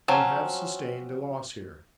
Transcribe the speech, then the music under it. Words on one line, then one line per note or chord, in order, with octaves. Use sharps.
You have sustained a loss here.
F3 F#3 C4 C#4